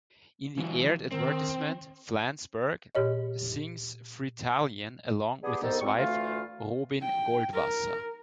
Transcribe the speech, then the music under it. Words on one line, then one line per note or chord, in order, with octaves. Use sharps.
In the aired advertisement, Flansburgh sings "Fritalian" along with his wife, Robin Goldwasser.
E3 F#3
D#3 C4
A#2 G4 C#5 D#5
B3 D4 G4 G#4
C2 D#3 B3 D#4 A4 C5
C#2 G3 C4 C#6
D2 E3 A3 F4 F5
G5
A#4